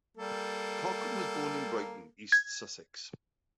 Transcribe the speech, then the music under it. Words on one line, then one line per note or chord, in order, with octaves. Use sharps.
Cochrane was born in Brighton, East Sussex.
G3 A#3 A4
G#6